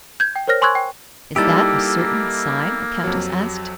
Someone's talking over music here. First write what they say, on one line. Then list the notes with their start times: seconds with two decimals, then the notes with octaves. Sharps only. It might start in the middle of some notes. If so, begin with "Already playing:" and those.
"Is that a certain sign?" the Countess asked.
0.20 G6 G#6
0.36 G5
0.48 A#4 C5 C#5 F6 A#6
0.62 G#5 C6 C#6 E6 F#6 G#6
0.75 G5
1.36 G3 A#3 D#4 E4 G4 A4 E6 A6
3.04 F2 F#3